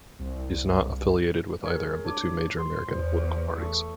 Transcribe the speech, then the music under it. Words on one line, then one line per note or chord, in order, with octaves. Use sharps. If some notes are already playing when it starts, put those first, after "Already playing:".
She is not affiliated with either of the two major American political parties.
C2
G#4 A#4 C#5
D4 C#5 D6
C6
E2 C5
A3 A4 C#6